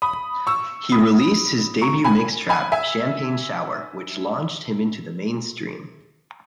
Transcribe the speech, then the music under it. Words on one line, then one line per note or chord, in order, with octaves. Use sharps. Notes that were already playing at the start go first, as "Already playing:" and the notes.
He released his debut mix trap "Champagne Shower" which launched him into the mainstream.
B5 D#6
C#6 E6
B5 D#6
A#5 C#6
G#5 B5
G#5 B5
E5 G#5